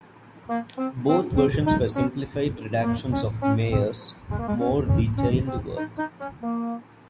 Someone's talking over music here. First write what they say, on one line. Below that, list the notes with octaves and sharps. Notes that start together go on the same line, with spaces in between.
Both versions were simplified redactions of Meyer's more detailed work.
A#3
C4
C4
C4
D#4
C#4
A#3
C#4
C#4
C4
G#3
A#3
G#3
C#4
C#4
C#4
C4
D#4
D#4
C#4
A#3